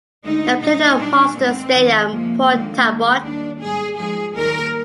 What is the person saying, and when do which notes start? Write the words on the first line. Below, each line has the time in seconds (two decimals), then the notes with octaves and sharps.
They play at the Marston Stadium, Port Talbot.
0.24 D2 D3 G#3 D#4
0.60 A#2 G3 D#4
0.98 A#2 G3 D4
1.35 G2 D#3 G#3 C4
1.74 F2 D#3 G3
2.11 F2 C3 F3 G#3 A#3
2.48 D#2 D3 F3 G#3 A#3
2.86 D#2 D#3 G#3
3.23 D#2 D#3 G3 D4
3.60 G#2 G3 G#4
3.97 G#2 F3 G#3 G#4
4.35 D#2 D#3 G3 A#4